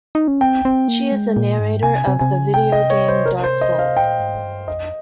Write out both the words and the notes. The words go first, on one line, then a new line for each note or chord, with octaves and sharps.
She is the narrator of the video game Dark Souls.
D#4
C#4
C4 G5
C4
A#3
G#3
A#2
G#2
C3 G#5
C3
C3 G#5
C#3
C3 G5
D#5
C#5
C5
A#4
C5
D#5
F5
A#2 G5
G#2
G2
F2 D#5